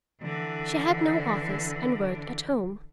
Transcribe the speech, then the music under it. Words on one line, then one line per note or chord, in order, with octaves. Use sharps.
She had no office, and worked at home.
D3 E3